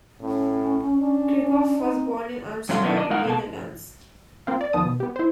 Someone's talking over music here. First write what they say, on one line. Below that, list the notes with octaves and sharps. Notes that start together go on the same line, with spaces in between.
Krieghoff was born in Amsterdam, Netherlands.
A2 C#4
D4
C4 D#4
G2 C3 F#3 A3 F4
F#2 B2 D#3 B3 D4 E4
D4 D#5
G#3 D#4 A#4 F5 F#5
B2 A#3 A5
A#3 C4 F4
D5
D#2 F3 B3 A5 D#6
B2
B3 G4
E4 C5